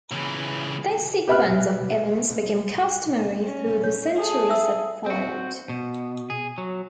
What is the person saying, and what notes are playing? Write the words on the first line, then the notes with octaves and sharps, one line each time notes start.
This sequence of events became customary for the centuries that followed.
C#2 E3
G4 B4 E5 B5 F6 F#6
C#4
C#5
G#4 A4
E5 E6
C4 F#4
B2
G#4
F#3